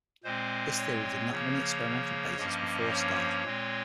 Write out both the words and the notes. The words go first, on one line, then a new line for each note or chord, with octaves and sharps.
This theory did not have any experimental basis before Stahl.
A#2 G#3 C4 C5
C#5
C#3 F3 A#3
G2 F3 A#3 C#4 D#5
C#5
A#2 G#3 C4